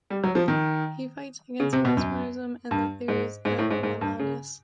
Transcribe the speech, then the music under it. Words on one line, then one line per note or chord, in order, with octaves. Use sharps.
He fights against mesmerism and the theories of Lamennais.
G3
F#3
F3
D#3
C#3
C3
B2
F#2
G2
G#2
G#2
A2
G#2
G#2
G2
C#3